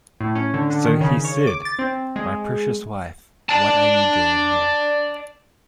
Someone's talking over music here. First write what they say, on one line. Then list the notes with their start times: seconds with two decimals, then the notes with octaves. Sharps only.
So he said, "My precious wife, what are you doing here?"
0.21 A2
0.35 C#4
0.54 D3
0.70 D3
0.85 D#3
1.01 C#3
1.25 C#5
1.47 D6
1.65 A6
1.79 C4
2.16 G#3
3.49 D5 A5